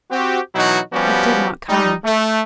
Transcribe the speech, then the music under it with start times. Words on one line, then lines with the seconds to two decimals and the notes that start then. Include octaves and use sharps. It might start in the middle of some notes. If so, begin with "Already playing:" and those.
It did not come.
0.11 C4 F#4 G4
0.55 B2 E3 F#3 D#4 E4 F#4
0.93 F3 G3 B3 C#4 F#4 G4
1.69 G3 D#4
2.05 A3